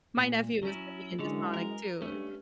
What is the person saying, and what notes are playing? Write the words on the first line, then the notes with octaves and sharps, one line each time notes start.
My nephew is heavy into Sonic too.
A#2
F#3 C#4 E4
F#2 D3 E3 G#3 C#5
A#4
G2 A3 C#4